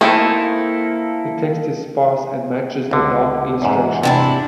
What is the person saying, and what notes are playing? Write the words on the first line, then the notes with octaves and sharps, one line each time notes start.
The text is sparse and matches the dark illustrations.
A3 A#3 C4 D#4 E4 A4
C#2 D3
E2 G#2
C3 D4 E4